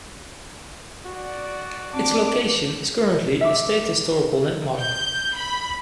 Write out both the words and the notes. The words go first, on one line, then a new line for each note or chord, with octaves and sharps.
Its location is currently a state historical landmark.
F#4 D5
C4 D4 D6
E5 D6
G6
B5